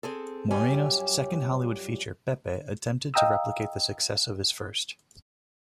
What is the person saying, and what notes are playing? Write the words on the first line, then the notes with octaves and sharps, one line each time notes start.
Moreno's second Hollywood feature, "Pepe", attempted to replicate the success of his first.
C4 G#4 A4
F#2 G3 C#4 F4 G4 G#5
D#5 F5 G5 A#5 D#6 E6